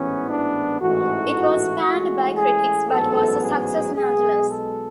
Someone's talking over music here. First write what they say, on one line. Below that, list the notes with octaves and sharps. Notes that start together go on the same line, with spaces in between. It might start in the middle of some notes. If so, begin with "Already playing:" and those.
It was panned by critics but was a success nonetheless.
Already playing: A1 G#2 E3 B3 C#4
D4
A1 G#2 E3 A3 F#4
A1 A2 G#3
G#4
A1 G#2 F#3 B3 A4
G#4
B1 B2 G#3 G#4
A4